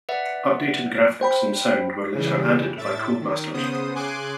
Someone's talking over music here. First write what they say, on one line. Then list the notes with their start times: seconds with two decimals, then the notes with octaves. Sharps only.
Updated graphics and sound were later added by Codemasters.
0.09 B4 D5 E5 F#5
1.21 C5 G5 B5
2.15 C#3 E3 G3
2.76 A2 E5 A6
3.21 D#3
3.53 C#3 B3 C5 D#6
3.95 C#3 G#5 C6 D6 F#6